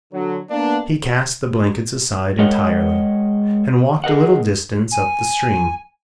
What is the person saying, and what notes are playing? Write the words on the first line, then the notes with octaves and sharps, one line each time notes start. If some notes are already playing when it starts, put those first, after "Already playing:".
He cast the blankets aside entirely and walked a little distance up the stream.
D3 F#3
A#3 B3 D4
G#3 A#4 C#5 D#5 F#5 G5
G#4 A#4 D#5 F#5
G#5